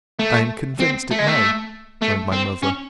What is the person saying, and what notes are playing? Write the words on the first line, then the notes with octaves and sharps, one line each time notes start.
I am convinced it may, joined my mother.
A3
C4
A3
G#3
A3
A3
C4
C#4